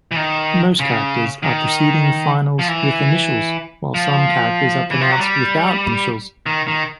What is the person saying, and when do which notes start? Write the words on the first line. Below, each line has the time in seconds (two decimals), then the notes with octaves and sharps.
Most characters are preceding finals with initials while some characters are pronounced without initials.
0.11 E3
0.16 D#3
0.80 C#3
1.43 D#3
2.59 F3
2.68 E3
3.94 F3
4.91 E3
5.01 F3
5.10 F#3
5.20 G3
6.46 D#3
6.68 D#3